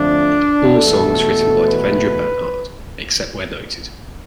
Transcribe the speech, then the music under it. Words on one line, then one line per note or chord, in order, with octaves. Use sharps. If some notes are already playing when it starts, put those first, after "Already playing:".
All songs written by Devendra Banhart, except where noted.
Already playing: F2 D3 F3 A3 D4
E2 B2 A3 A4
B4